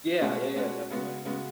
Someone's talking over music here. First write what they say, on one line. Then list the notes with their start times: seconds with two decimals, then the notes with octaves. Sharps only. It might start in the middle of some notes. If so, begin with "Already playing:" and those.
Yeah, yeah, yeah, definitely.
0.21 B2 G#3 C#4 F#4
0.56 B2 G#3 C#4 F#4
0.90 C#3 G#3 B3 F#4
1.25 C#3 G#3 B3 F#4